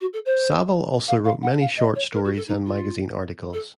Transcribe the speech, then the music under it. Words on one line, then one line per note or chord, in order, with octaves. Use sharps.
Saville also wrote many short stories and magazine articles.
F#4
A4
C5
F5
F5
F#5
F5
D#5
C#5
A#4
F#4
A4
D#4
F4
A4